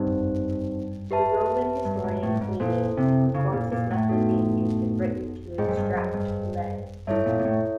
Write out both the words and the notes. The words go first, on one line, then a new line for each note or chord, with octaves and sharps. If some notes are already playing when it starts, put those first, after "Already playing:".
The Roman historian Pliny records this method being used in Britain to extract lead.
Already playing: G2 C4 D#4 G4 C5
G4 B4 E5 A5
G2
G#2
A2
G2
G#2
A#2 E4 A4 C5
C3
C#3
A#2
A#2
A2
B3 D#4 F#4 A4
G#2 G#4 C5 D#5 G5
F#2
G2
F#2
G2
G2 E4 A4 C#5 E5
A#2
A#2
A2